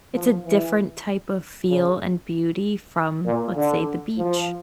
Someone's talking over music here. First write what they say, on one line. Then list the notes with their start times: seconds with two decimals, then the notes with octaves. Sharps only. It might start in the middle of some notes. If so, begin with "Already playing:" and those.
it's a different type of feel and beauty from, let's say, the beach.
0.14 F3
0.45 E3
1.70 C#3
3.25 A#2
3.56 D3
4.18 F3